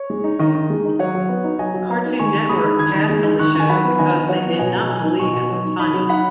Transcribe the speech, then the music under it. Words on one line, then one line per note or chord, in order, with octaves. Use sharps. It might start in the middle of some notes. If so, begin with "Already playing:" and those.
Cartoon Network passed on the show because they did not believe it was funny.
Already playing: C#5
G#3
D#4
D#3 D#5
D#3
G#3
D#4
F#3 C#5 F#5
F#3
B3
D#4
F#3 D#5 G#5
F#3
B3
D#4
D#3 G#5 C#6
D#3
G#3 B5 D#6
D#4
D#3 D#6 G#6
D#3
G#3
D#4
D#3 C#6 F#6
D#3 G#5
F#3 F#5 B5
B3
D#3 D#5 G#5
D#3
F#3 C#5 F#5
B3
B2 D#5 G#5
B2
F#3 D#5 G#5
D#4
B2 G#5 C#6
B2
F#3
D#4
D#4 B5 D#6
F#3
D#4 F#5 B5